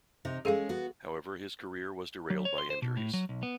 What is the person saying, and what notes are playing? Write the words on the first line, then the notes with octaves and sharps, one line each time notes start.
However, his career was derailed by injuries.
C3 D#4
G#3 C#4 G#4 A4 F5
B3 F#4
F#3
C#5
C6
C5
B2
A2
F#3
B1
B3